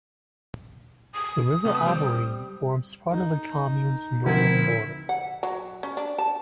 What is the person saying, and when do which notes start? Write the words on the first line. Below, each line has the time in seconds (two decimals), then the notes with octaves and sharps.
The river Albarine forms part of the commune's northern border.
1.14 D#6
1.65 C3 A3 B3
1.86 G3 C4
3.12 D#4
4.26 D2 F3 C4 E4 A#4 G#6
5.09 F#5
5.43 F#3
5.83 C#4
5.97 D4
6.18 A5